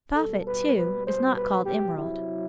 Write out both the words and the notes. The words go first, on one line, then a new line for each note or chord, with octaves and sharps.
The prophet, too, is not called Emerald.'
B2 G3 A4
B4
B4
C5
B4
G4
C3 F#3 E4